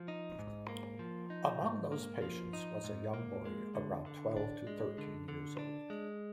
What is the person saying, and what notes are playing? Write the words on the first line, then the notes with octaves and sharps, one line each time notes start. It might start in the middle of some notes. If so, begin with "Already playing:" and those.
Among those patients was a young boy around twelve to thirteen years-old.
Already playing: F3
D#4
G#2
A#3
F3
D#4
G#2
A#3
F3
D#4
G#2
A#3
G#3
D3
D3
D4
G#3
D3
D3
D4
G#3